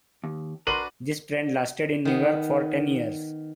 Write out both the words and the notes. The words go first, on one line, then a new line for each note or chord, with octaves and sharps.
This trend lasted in New York for ten years.
D#2
D4 F#4 A#4 B4 C6 D#7 F#7
D#3 B3